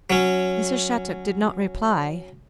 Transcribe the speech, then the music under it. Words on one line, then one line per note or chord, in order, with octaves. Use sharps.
Mrs. Shattuck did not reply.
F#3 C#4